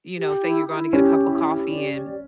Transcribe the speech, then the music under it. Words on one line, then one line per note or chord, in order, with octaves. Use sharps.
You know, say you're going to get a cup of coffee, and
G4
E4
E4
C#4 G4
E4
G4
D5
G4